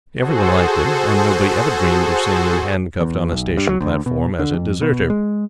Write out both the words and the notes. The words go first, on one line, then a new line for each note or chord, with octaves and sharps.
Everyone liked him; and nobody ever dreamed of seeing him handcuffed on a station platform as a deserter.
F#4 G#4 A4 C5
E2
B1
G2
F#3
D2
B2
D3
F2
B2
G#3